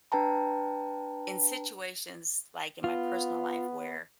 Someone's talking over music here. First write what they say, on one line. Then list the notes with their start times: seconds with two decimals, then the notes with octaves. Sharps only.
in situations like in my personal life where
0.12 D4 B4 G5 A5 A#5
2.84 B3 F4